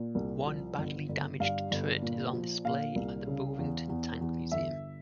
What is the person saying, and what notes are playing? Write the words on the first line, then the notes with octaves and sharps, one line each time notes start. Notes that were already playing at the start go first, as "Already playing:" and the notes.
One badly damaged turret is on display at the Bovington Tank Museum.
Already playing: A#2
C2
F3
G1
G1
G2 F5
G1
A#2
F3
A#2 F5
C2
C#3
E2
E2
E2
G1 E5